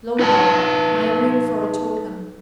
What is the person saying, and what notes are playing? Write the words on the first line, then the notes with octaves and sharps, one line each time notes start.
Lo thou, my ring for a token!
D#4 B4 G5 A5